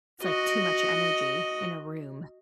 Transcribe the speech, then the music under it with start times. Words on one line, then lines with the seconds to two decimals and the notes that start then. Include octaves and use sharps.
it's, like, too much energy in a room.
0.22 F#4 D#5